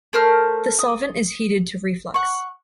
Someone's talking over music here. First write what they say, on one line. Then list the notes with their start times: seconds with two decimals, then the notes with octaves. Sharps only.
The solvent is heated to reflux.
0.13 A3 A#4 C5 F6
0.79 D#6
2.14 F#5 C#6